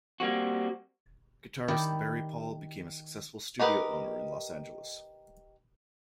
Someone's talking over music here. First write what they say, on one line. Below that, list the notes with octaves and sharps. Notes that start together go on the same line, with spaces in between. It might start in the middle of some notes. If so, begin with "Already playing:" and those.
Guitarist Barry Paul became a successful studio owner in Los Angeles.
G3 A#3 C4 F#4
D#3 E4 G4 D5
D#4 G4 A#4 B4 D#5